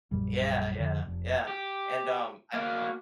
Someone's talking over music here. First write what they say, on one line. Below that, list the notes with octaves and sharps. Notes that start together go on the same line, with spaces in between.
Yeah, yeah, yeah, and, um, I
A#1 F#2 A#2 G3
F2 D3
F1
G4
A#3 F#4